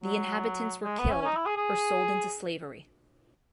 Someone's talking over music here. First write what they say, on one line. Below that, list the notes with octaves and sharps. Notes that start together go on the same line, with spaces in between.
The inhabitants were killed or sold into slavery.
F#3
G#3
B3
C#4
C#4
D#4
E4
G#4
G#4